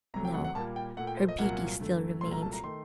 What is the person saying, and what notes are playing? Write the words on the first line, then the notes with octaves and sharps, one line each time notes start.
No! her beauty still remained.
C2 C3 F#3 A3 A#5
G5
F#5
F#5
A#2 G3 A#3 A5
G5
A#2 A3 F#5
G5
C5
D#5
C2 A#2 F#3 A#3 F#5
F#2 D3 A3
C2 A#2 F#3 A3 C6
A#5
A5
A#5
D#3 A3 C6